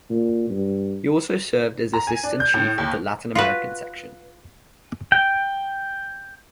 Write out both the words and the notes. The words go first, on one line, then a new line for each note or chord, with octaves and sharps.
He also served as Assistant Chief of the Latin American Section.
A#2
G2
A#5
G#5
D4
G6
A2
D#2
F4 F#4 B4
G5